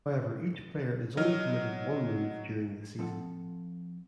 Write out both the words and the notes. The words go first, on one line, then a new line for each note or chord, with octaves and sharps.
However each player is only permitted one move during the season.
F#3 D#5 F6
F3 C4 A4 E5 F#5 A5